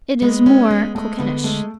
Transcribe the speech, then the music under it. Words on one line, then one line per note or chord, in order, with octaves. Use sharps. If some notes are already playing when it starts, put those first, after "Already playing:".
It is more coquettish.
G#3 B3
C#4
G#3
G#3 A3
D3 B3
G#3 A3